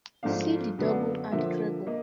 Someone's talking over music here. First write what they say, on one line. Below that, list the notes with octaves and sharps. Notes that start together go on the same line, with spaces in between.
"See The Double and The Treble".
G#2 F3 A3 D4 F5
F#2 D3 F#3 B3 D4
D3 F3 A#3 E5
A#3 D#5